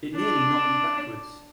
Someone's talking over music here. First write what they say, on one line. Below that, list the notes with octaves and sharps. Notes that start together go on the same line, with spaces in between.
It nearly knocked me backwards.
D4